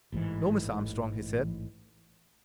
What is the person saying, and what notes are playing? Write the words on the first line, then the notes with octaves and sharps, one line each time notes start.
"No, Miss Armstrong," he said.
A1 G#2 E3